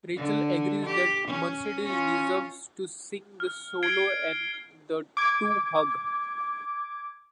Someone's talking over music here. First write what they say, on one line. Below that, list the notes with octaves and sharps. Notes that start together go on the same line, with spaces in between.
Rachel agrees that Mercedes deserves to sing the solo and the two hug.
D3
G4
C#4
C#4 F4
F6
G#6 C7 D7 G7
D6 G#6